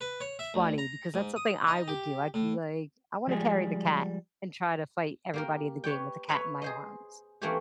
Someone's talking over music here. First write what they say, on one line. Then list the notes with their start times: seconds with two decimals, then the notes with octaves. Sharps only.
funny because that's something I would do. I'd be, like, "I wanna carry the cat and try to fight everybody in the game with the cat in my arms."
0.01 B4
0.21 C#5
0.39 E5
0.54 D2
0.78 A#5
1.14 G#2
1.36 D#6
1.67 D#4
1.88 G4
2.34 A2
3.27 F3 G3 G#3 G#4
5.34 A#3 G4 A#4
5.84 B4 C#5 D5 G5
6.29 B4 C#5 E5 A#5 B5
6.62 G#4 C5 D#5
7.42 E3 A3 A#3 C4 C#4 G4